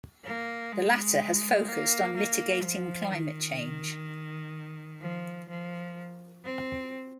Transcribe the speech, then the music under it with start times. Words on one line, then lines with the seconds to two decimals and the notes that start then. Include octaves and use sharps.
The latter has focused on mitigating climate change.
0.25 A#3
0.73 G#3
1.68 A#3
2.16 A#3
2.63 F3
3.11 D#3
5.02 F3
5.49 F3
6.44 C4